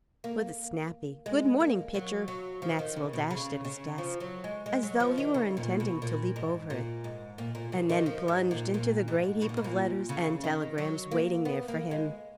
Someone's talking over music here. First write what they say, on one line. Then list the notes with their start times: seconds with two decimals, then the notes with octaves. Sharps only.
With a snappy "Good-morning, Pitcher," Maxwell dashed at his desk as though he were intending to leap over it, and then plunged into the great heap of letters and telegrams waiting there for him.
0.24 A#3
1.26 G#3
1.60 A#3
1.94 F#3
2.28 F#3
2.62 F3
2.79 D#3
2.96 C#3
3.13 B2
3.31 C#3
3.65 C#3
3.98 F3
4.20 F#3
4.44 G#3
4.66 G#3
4.83 F#3
5.00 F3
5.18 D#3
5.34 C#3
5.57 A#2
5.80 B2
6.02 A#2
6.36 G#2
6.70 A#2
7.04 G#2
7.38 A#2
7.55 A#2
7.72 C#3
7.89 D#3
8.06 F3
8.28 G#2
8.51 A#2
8.74 A#2
9.08 G#2
9.42 B2
9.49 A#2
9.57 G#2
9.64 A#2
10.09 C#3
10.44 D#3
10.78 F#3
11.11 A#3
11.45 B3
11.68 A#3
11.91 G#3